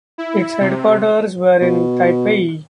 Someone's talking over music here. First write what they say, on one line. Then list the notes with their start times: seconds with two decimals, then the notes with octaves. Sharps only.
Its headquarters were in Taipei.
0.18 E4
0.60 C3
1.61 B2